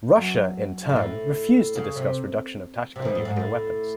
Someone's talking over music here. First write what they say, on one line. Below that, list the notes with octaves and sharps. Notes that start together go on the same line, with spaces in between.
Russia, in turn, refused to discuss reduction of tactical nuclear weapons.
F#2
G#2
A2
C#3
C3
C3
E3
D#3
A2
G#2
A2